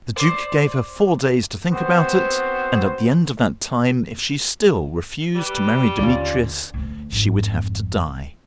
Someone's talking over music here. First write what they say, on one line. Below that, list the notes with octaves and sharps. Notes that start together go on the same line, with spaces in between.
The Duke gave her four days to think about it, and, at the end of that time, if she still refused to marry Demetrius, she would have to die.
C5 D5
B3 C4 F#4 C5
G3 B4
D#2 D3 C#4 F4 D5
D2
G#1 F2